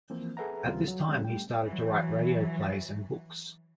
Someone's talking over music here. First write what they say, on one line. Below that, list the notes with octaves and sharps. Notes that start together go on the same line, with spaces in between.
At this time he started to write radio plays and books.
E3 F3 A#3 C4
G#4 A4 B4 E5 F#5 A#5
D#2 C#3 E3 G3 C4 F4
F#3
C#3 F3 G3 G#3 C4 C#4
G3 A3 G5
E3 F#3